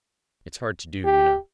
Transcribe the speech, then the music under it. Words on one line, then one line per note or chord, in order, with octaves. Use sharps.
It's hard to do, you know.
G4